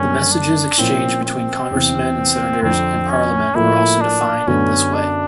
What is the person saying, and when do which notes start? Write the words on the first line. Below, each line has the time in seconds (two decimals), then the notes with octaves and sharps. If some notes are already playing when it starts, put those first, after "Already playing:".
The messages exchanged between congressmen and senators in parliament were also defined in this way.
Already playing: F#2 D3 G3 A#3 C#4
0.32 D4
0.78 A#2 F3 A#3 C4 C#4 E4
1.25 C4
1.71 E2 C3 E3
2.62 F2 D3 F3 C4
3.09 C#4
3.55 A2 F3 A#3 E4
4.01 D4
4.47 F#2 D3 F#3 B3 C#4
4.93 D4